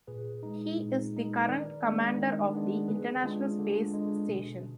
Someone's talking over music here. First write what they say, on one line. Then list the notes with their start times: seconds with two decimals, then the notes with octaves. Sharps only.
He is the current Commander of the International Space Station.
0.07 A#2 G#4 B4
0.43 G#3 D#4
0.78 A#2
1.13 G#3 D#4
1.41 B4
1.48 D#3 A#4 D5
1.83 G#3 B3 D4
2.18 D#3
2.53 G#3 B3 D4
2.88 D3 G#4 B4
3.23 G#3 D4 F4 G#4
3.59 D3
3.94 G#3 D4
4.29 B2